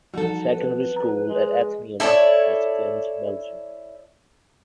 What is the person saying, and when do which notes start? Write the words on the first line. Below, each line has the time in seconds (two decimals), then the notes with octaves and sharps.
Secondary School at Atheneum at Ghent, Belgium.
0.14 E3 F3 G3 D#4 F#4 A4
0.52 B4
0.96 A#5
1.28 G#3
2.00 E4 A4 C#5 D5